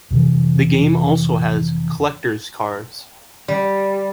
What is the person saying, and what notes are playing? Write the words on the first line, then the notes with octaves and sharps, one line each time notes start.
The game also has Collector's cars.
F2 C3 E3
G3